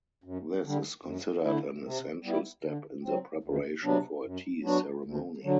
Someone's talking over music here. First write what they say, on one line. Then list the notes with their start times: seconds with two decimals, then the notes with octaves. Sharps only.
This is considered an essential step in the preparation for a tea ceremony.
0.24 F#2
0.64 D3 G3
1.04 F#2
1.44 D3 A3 E4
1.84 C3
2.24 G3 B3 E4
2.64 D3
3.04 F#3 C4
3.43 D2
3.84 C3 F#3 B3 D4
4.24 F#2
4.64 F#3 B3 D4 F#4
5.05 D2
5.44 D3 F#3